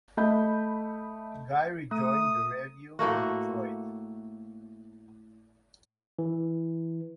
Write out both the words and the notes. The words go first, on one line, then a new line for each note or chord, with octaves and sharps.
Guy rejoined the revue in Detroit.
A3 D#5 B5 G6
A3 D#6
A2 A3 A#3 F#4
E3